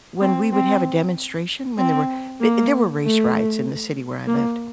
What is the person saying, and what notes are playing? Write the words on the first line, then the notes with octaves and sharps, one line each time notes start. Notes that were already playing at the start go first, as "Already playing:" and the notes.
when we would have a demonstration, when there were b there were race riots in the city where I lived,
C4
C4
C4
A#3
A3
A#3